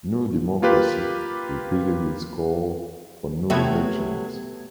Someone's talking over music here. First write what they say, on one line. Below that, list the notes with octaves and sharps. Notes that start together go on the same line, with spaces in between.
New Democracy repeated its call for new elections.
A#3 F4 G4 B4
C3 F#3 A3 B3 G#6